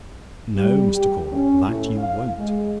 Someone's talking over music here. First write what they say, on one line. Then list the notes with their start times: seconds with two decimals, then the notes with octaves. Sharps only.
No, Mr. Caudle, that you won't.
0.55 G3
0.94 G4
1.33 C#4
1.68 A2
1.98 F5
2.39 G#3